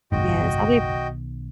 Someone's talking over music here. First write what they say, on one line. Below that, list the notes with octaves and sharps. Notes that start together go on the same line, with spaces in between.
Yes, I'll be
F#1 B1 G#2 B2 D#3 F#4 D#5 G5